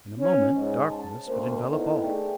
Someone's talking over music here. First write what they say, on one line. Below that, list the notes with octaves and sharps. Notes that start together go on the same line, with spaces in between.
In a moment darkness would envelop all.
C#4
G#2
A5
D2 A#3 C5
B3 D#4 E4 A4
A3 G#4 D5 G5